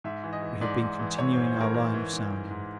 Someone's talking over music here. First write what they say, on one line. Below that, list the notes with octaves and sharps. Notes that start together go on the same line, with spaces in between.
We have been continuing our line of soundings.
G#2 E5
E3
D#5
E3
G#2 D5
G#2
E3
E3 C#5
G#2 C5
C5
G#2 A#4
E3 A#4
E3
G#2
G#2
G#2